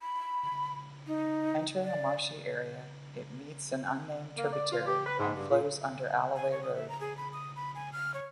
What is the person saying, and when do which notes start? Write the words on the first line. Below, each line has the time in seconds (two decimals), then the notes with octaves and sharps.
Entering a marshy area, it meets an unnamed tributary and flows under Alloway Road.
0.02 B5
1.07 D#4
1.84 D5
4.37 A#3
4.51 D5
4.72 F4
4.86 G4
5.06 B4
5.19 G#2
5.35 G2
5.49 A#2
6.36 G#5
6.51 C#5
6.63 D#6
6.75 E5
6.89 A#5
7.01 G#4
7.17 B5
7.33 D#6
7.56 B5
7.75 G#5
7.93 F6
8.14 C#5